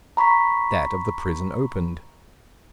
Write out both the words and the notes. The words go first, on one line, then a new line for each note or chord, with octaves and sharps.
That of the prison opened.
A#5 B5 C#6 B6